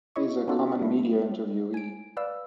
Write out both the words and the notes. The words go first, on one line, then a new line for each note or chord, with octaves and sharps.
He is a common media interviewee.
E4 C#5 D#5 E5 C#6
B3 C#4 D#4 F4 F#4 A4
G3 A3 D4 E4
G#5 D7
B4 D5 F5 E6